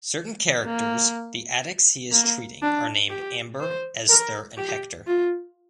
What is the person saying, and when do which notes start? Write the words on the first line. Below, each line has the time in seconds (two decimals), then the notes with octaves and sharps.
Certain characters, the addicts he is treating, are named Amber, Esther, and Hector.
0.65 A#3
2.12 A#3
2.62 D4
3.10 G4
3.60 C5
4.09 A#4
4.57 G4
5.07 F4